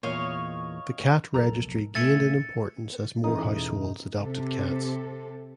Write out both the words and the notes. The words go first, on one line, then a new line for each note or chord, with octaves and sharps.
The cat registry gained in importance as more households adopted cats.
E2 A#2 C#5 D#5 F5
F1 B1 E2 A4 A#4 A#5
A#2 A3 E5 G#5 A6 C#7
A2 C#3 E3 D#4 D#6
E2 B2
C3 A4